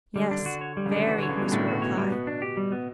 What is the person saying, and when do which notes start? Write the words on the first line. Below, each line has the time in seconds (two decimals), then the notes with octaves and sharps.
'Yes, very,' was her reply.
0.16 D3 G3
0.31 D4
0.39 D3
0.46 F#4
0.61 C#5
0.77 G3
0.86 C#3
0.92 D3 D4
1.07 E3 F#4
1.18 D3 C#5
1.29 C#3
1.36 B2 G3
1.52 A2 D4
1.67 B2 F#4
1.82 B2 C#5
1.97 B2 G3
2.12 B3
2.27 D4
2.42 G4
2.57 G3
2.72 B3